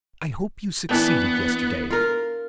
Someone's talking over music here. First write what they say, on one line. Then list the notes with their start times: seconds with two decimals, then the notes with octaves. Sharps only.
I hope you succeeded yesterday.
0.89 E3 B3 D4 G5
1.91 F4 A#4